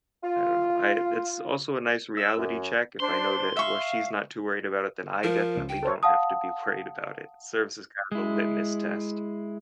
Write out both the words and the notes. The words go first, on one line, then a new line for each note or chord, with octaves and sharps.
I don't know, I it's also a nice reality check if I know that, "Well, she's not too worried about it, then I definitely don't have to be worried about it." Serves as kind of a litmus test.
F4
E6
F#2
D4 C5 C6
E5 F5 C#6
F3 A#4
C#2
G5
A4 C5 C#5
F5 F#5 A5 D#6
G#3 E4